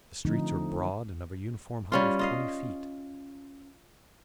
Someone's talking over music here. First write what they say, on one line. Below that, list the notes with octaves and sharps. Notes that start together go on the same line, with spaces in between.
The streets are broad and of a uniform height of twenty feet.
D3 F3 A3 C4 D#4
G3 C#4 F4
F4 D#5 F5